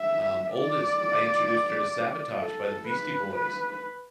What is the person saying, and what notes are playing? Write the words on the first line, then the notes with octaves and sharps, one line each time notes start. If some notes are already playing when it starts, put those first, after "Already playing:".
um, oldest, I introduced her to "Sabotage" by the Beastie Boys,
Already playing: E5
D5
A4
B4
B4